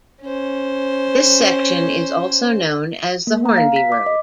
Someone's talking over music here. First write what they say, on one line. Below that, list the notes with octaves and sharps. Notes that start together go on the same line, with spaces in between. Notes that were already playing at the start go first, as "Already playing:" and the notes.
This section is also known as the Hornby Road.
C#4 C5
A#3
A#5
F5
B6
D6
D#5